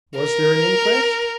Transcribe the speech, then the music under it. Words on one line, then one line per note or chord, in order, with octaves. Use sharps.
"Was there an inquest?"
A#4